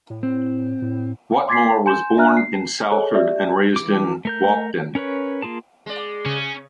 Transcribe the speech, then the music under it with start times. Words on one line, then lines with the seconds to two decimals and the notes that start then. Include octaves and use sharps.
Whatmore was born in Salford and raised in Walkden.
0.10 A2
0.23 C4
0.82 A2
1.48 C6 D6 G#6 A6 B6 C7
1.86 G#5 C6 G6 E7
2.17 D4 E5 A#5 F6 F#6
2.37 C7
2.92 G#4 A4 C#5
3.14 G4 D5 E5
3.76 E3 D6
4.25 A3 A#4 G6
4.95 C#4 A#4 B4 C#5
5.42 A#3 F4 G#4 A5
5.86 G#3 D5
6.26 C#3 C#4